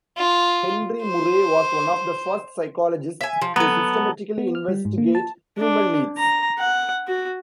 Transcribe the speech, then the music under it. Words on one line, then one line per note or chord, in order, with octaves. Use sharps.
Henry Murray was one of the first psychologists to systematically investigate human needs.
F4
C5
E5 G#5
F3
F#3 B3 A4
B3
F6
G3
G#2
A#3
A5
D4
A#5
F#5
F#4